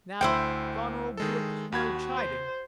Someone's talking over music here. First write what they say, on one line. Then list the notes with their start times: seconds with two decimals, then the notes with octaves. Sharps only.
Now Goneril brooked no chiding.
0.21 D2 E4 C5 G5
1.17 D#3 G#3 A4
1.72 D#2 F#4 B5 G#6
2.16 C5